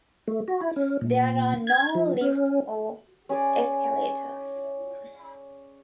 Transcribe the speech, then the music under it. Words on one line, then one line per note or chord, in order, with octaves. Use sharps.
There are no lifts or escalators.
A3
F#4
E4
C#4
A#2
G#6
F3
C#4
C#4 G#4 D5